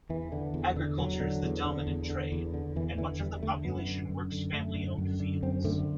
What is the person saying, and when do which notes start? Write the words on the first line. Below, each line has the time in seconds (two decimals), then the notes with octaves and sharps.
Agriculture is the dominant trade, and much of the population works family-owned fields.
0.09 E2 E3
0.32 D3
0.54 E2
0.76 D3
0.98 E2 F#3
1.20 D3
1.43 E2
1.65 D3
1.87 E2
2.10 D3
2.32 E2
2.54 D3
2.76 E2 E3
2.98 D3 E3
3.20 E2 G3
3.42 D3 A3
3.64 F#2 B3
3.87 D3
4.09 F#2
4.31 D3
4.53 F#2 A3
4.75 D3
4.98 F#2
5.20 D3
5.42 F#2 C4
5.65 D3 A3